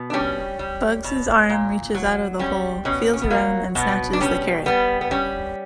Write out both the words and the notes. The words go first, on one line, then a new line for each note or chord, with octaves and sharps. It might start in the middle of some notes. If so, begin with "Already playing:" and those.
Bugs' arm reaches out of the hole, feels around, and snatches the carrot.
Already playing: B2
D4
G3 C#4
G3
B2
A#2
F#3
G3 C#4
B2 C#4
C#4
B3
F#3 A#3
B2 B3
D4
G3 C#4
G3 B3
B3
G3 C#4